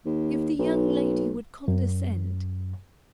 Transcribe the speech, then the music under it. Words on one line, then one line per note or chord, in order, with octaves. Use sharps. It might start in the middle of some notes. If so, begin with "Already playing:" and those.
If the young lady would condescent!
D#2
B1
F#2